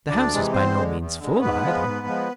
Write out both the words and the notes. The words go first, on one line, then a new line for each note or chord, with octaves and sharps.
The house was by no means full, either.
D2 D4 D5
C3 E3 G#3
E2 C4 C5
D3 G#3
E2
D3 G#3
G#2 B3 B4
F3 G#3
G#2
F3 G#3